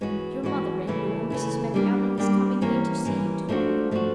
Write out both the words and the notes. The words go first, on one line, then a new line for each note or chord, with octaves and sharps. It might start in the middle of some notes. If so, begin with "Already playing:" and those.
"Your mother-in-law, Mrs. Macallan, is coming here to see you to-day."
E3 G#3 C#4 F#4
E3 G#3 C#4 F#4
C#3 E3 A3 C#4 E4
C#3 E3 A3 C#4 E4
G3 A#3 D4 G4
G3 A#3 D4 G4
E3 G3 A#3 C#4
E3 G3 A#3 C#4
F3 A3 D4 F#4
F3 A3 D4 F#4